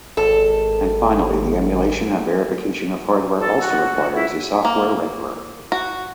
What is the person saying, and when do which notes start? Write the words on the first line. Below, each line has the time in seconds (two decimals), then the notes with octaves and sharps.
And finally the emulation and verification of hardware also requires a software renderer.
0.17 G#1 A4
3.38 A4
3.59 F#4
4.13 E4
4.65 A#3
5.72 F#4